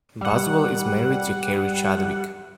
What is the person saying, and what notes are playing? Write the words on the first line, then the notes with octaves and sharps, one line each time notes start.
Boswell is married to Keri Chadwick.
G3 F#5